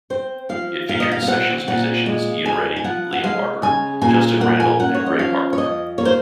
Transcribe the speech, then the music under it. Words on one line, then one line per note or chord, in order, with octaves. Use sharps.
It featured session musicians Iain Reddy, Liam Barber, Justin Randall and Greg Harper.
C4 C5
F3 F5
A#2 F5
D#5
F5
F5
C4 F#5
A#2 F#5
G#3
F2 G#5
G#5
F3 F#5
F#5
G#3 F5
C#3 G#5
A#2 G#5
A#3 F#5
G#5
C#4 F#5
C#5
D#5
F3 F5
C#5
F2 D#5
A#3 C#5
C5